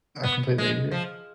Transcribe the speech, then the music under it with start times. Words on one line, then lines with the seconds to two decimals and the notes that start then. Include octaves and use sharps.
I completely agree.
0.23 B3
0.58 G#3
0.91 F3